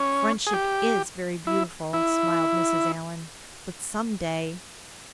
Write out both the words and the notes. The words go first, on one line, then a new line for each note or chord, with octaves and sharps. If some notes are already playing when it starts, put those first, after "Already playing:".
"Friendship IS very beautiful," smiled Mrs. Allan, "but some day . . ."
Already playing: C#4
G#4
G4
E4
E4